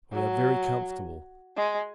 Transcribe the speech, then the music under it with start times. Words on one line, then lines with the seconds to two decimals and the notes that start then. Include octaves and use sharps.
We are very comfortable.
0.12 F#3
1.56 G#3